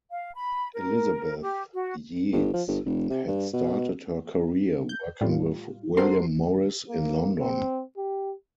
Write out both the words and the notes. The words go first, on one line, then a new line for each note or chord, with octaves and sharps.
Elizabeth Yeats had started her career working with William Morris in London.
F5
B5
A#4
G4
F#4
G1
F3
G1
F1
C3
G2
B2
G6
A2 G3 F4
C4 F#4 A4 A#4 C6 C7
A#3
C4
G4